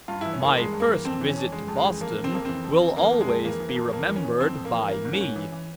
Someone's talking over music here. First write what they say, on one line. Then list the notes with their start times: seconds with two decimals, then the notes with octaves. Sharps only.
My first visit to Boston will always be remembered by me.
0.08 G2 F4
0.21 E3 E4
0.33 C#4
0.40 E3 A#3
0.56 G2 G#3
0.73 G2
0.80 A#3
0.88 E3
1.05 F2 C4
1.21 E3
1.29 C#4
1.36 F2
1.52 C#3 G#3
1.68 F2
1.76 G#3
1.84 E3
2.01 F2 A#3
2.16 C#3
2.24 C4
2.32 F2 A#3
2.45 E3 C4
2.64 F2
2.80 C#3
2.97 E3 A#3
3.13 F2
3.21 G#3
3.28 F2
3.44 E3 A#3
3.60 E3
3.69 A#3
3.76 F2
3.92 F2 A#3
4.08 E3
4.16 C#4
4.24 E3
4.40 F2 C4
4.57 F2
4.65 A#3
4.73 E3
4.88 E3 A#3
5.05 G#2
5.13 C#4
5.21 G#2
5.36 E3
5.52 E3